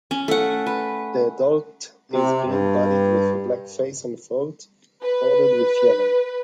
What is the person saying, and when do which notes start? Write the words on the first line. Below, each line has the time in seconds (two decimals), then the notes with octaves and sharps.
The adult is green-bodied with a black face and throat bordered with yellow.
0.11 C#4
0.28 A3 F#5
0.67 B4
2.12 C3
2.47 G2
5.03 B4